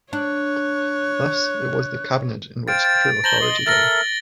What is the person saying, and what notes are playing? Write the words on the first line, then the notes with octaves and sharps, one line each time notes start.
Thus, it was the cabinet in which true authority lay.
D4 C#5 F#6
C5 F5 G5 A6 D7
A6
C5 A5 A#5 A#6 F#7 G7
D#5 C6
A4 A#4 E5 A6 A#6 G7